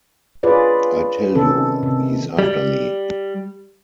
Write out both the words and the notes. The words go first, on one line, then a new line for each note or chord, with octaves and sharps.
I tell you he's after me.
F4 G#4 B4 C#5 D5
C3 D#3 C#4 A4
C3
G3